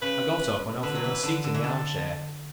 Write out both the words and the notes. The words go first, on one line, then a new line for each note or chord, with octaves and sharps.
I got up and offered her my seat in the arm-chair.
C#3 B4
D3 B4
F#3
E3
D3
D3
E3
D3 A4